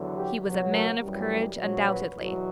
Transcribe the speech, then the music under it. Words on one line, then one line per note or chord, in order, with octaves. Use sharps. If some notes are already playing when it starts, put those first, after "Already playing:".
He was a man of courage undoubtedly.
Already playing: E2 D3 F#3
G4
C#2 B2 F#3
A#4
F#2 E3 G3
A#1 A#2 F#3
B4
E2 B2 F#3